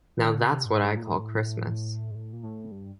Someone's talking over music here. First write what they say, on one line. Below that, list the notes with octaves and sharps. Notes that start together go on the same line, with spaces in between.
Now That's What I Call Christmas!
E3
D#3
D3
C#3
C3
G#2
G#2
A#2
A2
G#2
A2
A#2
A2
G2